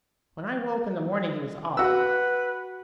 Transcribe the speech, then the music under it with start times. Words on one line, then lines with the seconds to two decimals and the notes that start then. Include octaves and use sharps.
When I woke in the morning he was off.
1.77 F#4 B4 E6